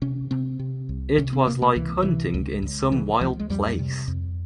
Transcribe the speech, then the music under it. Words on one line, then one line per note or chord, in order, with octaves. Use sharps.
It was like hunting in some wild place.
C3 C#4
C3 C4
C3
C2
C3 C#4
C4
C3 A#3
A#3
C#2 E3
C3 E3
C#2
C#2
C#3 E3
C#2 F3
G#3
F2 G3
C3
F2